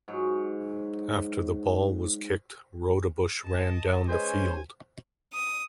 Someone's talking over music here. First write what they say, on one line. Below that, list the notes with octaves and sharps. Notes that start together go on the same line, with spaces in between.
After the ball was kicked, Roudebush ran down the field.
G#2 F#3
D#5 A5
G#3 C#4 G#4 B4 C5 D#5 G#5
D#6